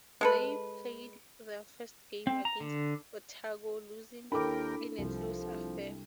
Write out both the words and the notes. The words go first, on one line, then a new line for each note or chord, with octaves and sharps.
They played their first game against Otago, losing in a close affair.
G#3 A4 B4
C4
A#5
D3
D#2 D4 E4 A4 A#4 G5 B5 D6
C2 F3